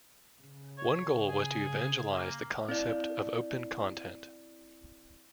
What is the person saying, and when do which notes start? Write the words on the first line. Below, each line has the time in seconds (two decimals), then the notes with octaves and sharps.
One goal was to evangelize the concept of open content.
0.41 C#3
0.78 C#5
1.28 G#4
2.14 A#3
2.69 C4 E4 D5